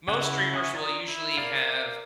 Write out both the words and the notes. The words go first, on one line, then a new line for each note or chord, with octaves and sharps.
Most streamers will usually have
C#3 E4 F#5 F#6
F#4 E5 G#5 D#6
F4 D5 A#5 D#6
E4
A#4 D5 F5